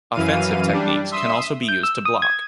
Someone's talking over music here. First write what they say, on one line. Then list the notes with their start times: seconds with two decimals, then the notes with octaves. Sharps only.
Offensive techniques can also be used to block.
0.14 F#2 E3 F5 D#7
0.73 G3 D4
1.11 E5 C6 D#6 E6
1.68 G6
1.83 E6
2.05 D#6
2.22 G#6